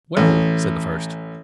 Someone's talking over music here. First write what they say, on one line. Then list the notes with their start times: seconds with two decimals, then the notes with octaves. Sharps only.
"Well!" said the first.
0.17 A1